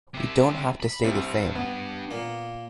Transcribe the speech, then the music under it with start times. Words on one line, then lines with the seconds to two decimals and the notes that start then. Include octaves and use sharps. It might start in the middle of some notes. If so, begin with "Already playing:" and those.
We don’t have to stay the same.
0.14 C3 E4
0.80 B5
1.04 C2 G3 C4 D4 G4
1.55 B3
2.11 A#2 A#3